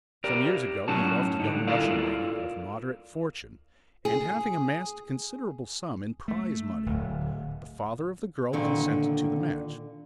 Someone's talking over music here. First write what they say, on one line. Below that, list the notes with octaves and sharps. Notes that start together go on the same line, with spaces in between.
Some years ago he loved a young Russian lady of moderate fortune, and having amassed a considerable sum in prize-money, the father of the girl consented to the match.
G4 A#4 D5
A2 F#3 C#4 D#4 F#4 A5
D3 G3 D#4
E4 F4 A4 A#4 D5 F5
G#4
A3
D1
A#2 D3 D#3